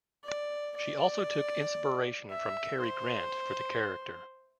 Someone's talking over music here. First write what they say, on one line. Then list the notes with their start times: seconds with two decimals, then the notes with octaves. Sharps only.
She also took inspiration from Cary Grant for the character.
0.24 D5
0.76 D5
2.30 E5
2.82 C5